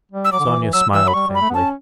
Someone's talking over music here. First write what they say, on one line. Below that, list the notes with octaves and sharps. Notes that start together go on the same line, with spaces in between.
Sonia smiled faintly.
G3
E6
F#3 D6
D3
E3
E3
F#3 E6
E3 E6
F#3 B5
G3 C#6
G3
B5
A3
B3
C#4 A5